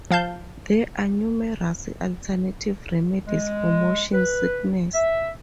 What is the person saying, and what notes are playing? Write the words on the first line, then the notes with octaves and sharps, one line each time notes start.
There are numerous alternative remedies for motion sickness.
F3 F5 A5 G6
G#3
B4
E5